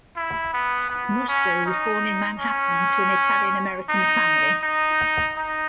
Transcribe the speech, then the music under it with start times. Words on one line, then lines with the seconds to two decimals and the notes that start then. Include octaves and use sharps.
Musto was born in Manhattan to an Italian American family.
0.16 E4
0.53 B3
0.90 B3
1.28 C#4
1.65 D#4
2.39 C#4
3.89 D#4
4.62 D#4
5.37 D#4